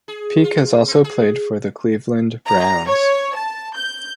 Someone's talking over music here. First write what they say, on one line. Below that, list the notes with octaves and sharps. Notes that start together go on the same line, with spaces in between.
Peek has also played for the Cleveland Browns.
G#4
F4
C4
G#4
A#5
C#5
A5
G6